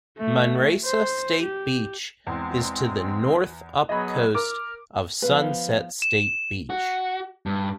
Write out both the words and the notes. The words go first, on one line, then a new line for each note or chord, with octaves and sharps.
Manresa State Beach is to the north-upcoast of Sunset State Beach.
A3
C5
G4
E2 G#3 C4
F#3 B3 G#4 D#5 B5
A#4 D6 F6
F3 B3 B4 F5
E7
F#4
G2